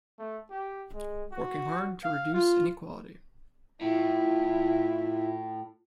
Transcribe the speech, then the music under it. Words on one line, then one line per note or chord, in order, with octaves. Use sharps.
Working hard to reduce inequality.
A3
G4
G#3
F#4
F5
F4
A2 E4 F4